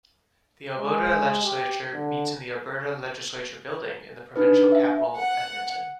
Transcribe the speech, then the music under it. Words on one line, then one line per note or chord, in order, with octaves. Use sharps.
The Alberta legislature meets in the Alberta Legislature Building in the provincial capital, Edmonton.
G#3
G4
D3
D4 D#4 B4
D4
E5
F#5